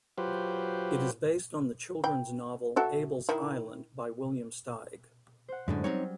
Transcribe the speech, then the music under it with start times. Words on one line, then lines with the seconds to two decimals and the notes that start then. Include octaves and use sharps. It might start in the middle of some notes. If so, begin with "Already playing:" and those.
It is based on the children's novel "Abel's Island" by William Steig.
0.18 F#3 F4 G4 B4 C5
2.04 G5 B5
2.76 F#4 A4 E5
3.29 D#3 E4
5.48 C5 F#5
5.68 F#2 A2 D3 G#3 C#4 D5
5.84 F#3 G3 C4 C#4 D#4 C#5